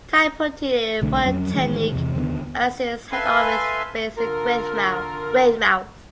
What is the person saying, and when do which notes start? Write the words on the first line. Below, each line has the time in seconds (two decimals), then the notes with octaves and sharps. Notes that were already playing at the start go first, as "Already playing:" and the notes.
Tai Poutini Polytechnic has its head office based in Greymouth.
1.01 B1 D3 A3
1.24 F2 F#3 C#4
1.54 A1 D#3 G#3
1.92 E2 C3
2.15 D#2 D3 A3 B3
3.12 A4 B4 E5 F5 G#5 C6
4.17 D3 F4 A#4